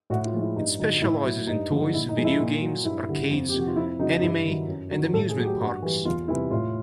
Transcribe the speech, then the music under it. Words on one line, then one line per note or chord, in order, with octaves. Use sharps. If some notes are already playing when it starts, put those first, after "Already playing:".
It specializes in toys, video games, arcades, anime, and amusement parks.
A2 F#4
F4
F3 G#3
E4
G2 D#4
D3 F#3 D#4
A2 E4
F#3
G2 D#4
D3 F3 G#3
A#2 E4
D#4
F3 G#3
E4
A#2
F#3
G2 E4
D3 G3
F2
G4
C3 F3 F#4
F4
F2 E4
C#3 F#3 D#4
G2 E4
D#3 F#3
F#2
D#3 F#3
A2 A4
G#4
F#3
G4
G2 F#4
E3 G3
E2 F4
C3 E3 G3 E4
A2 F4